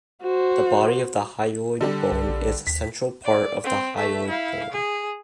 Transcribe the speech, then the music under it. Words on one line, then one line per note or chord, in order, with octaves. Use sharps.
The body of the hyoid bone is the central part of the hyoid bone.
F#4 C5
D3 G3 D4
C2
A#1
D#2 B6
D5
C4
A3 E5
E4 F5
G#4